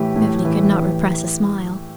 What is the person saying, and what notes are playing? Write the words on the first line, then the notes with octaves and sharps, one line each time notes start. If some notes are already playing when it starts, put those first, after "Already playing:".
Beverly could not repress a smile.
Already playing: A2 E3 G4
A2
E3
E3